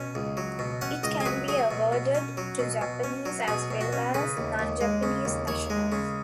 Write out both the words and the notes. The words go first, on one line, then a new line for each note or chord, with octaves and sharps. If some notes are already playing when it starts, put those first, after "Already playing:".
It can be awarded to Japanese as well as non-Japanese nationals.
Already playing: B2 C#4
C#2
F#3
B2
C#4 F#5
C#2 D#5
G#4
F#3 B4
F#3 G#4
B2
B2
C#4
F#3
B2
B2
C#4
F#3
B2 G#4
B2
F#4
C#4
C#3 B4
D#2
D#2
G#3
C#3
D#2
D#2 C#5
G#3
C#3